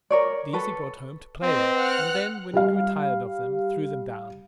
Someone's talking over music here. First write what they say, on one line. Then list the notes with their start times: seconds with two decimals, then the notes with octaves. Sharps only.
These he brought home to play with, and then, when he grew tired of them, threw them down.
0.10 A#4 C#5 D5
0.53 A4 B4 C#5
1.42 C4 B4 D#5
1.79 F#5 F6 F#6
2.54 G3 G4 F5